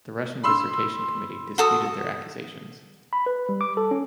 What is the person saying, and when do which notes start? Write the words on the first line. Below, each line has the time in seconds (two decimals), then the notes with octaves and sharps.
The Russian dissertation committee disputed their accusations.
0.44 B5 C6 E6
1.58 F#4 A4 D#6
3.13 B5
3.26 B4
3.49 G3
3.61 D6
3.77 A4
3.91 C#4